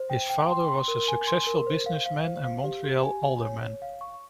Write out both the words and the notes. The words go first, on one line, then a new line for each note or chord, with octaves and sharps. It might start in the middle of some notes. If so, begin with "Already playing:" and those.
His father was a successful businessman and Montreal alderman.
Already playing: C5
G5
G5
C6
C6
A#4
G#5
C6
A#4
C5
F5
F5
C5
F5
G4
G4
G#5
G#5
C#5
C#5
F5
C#6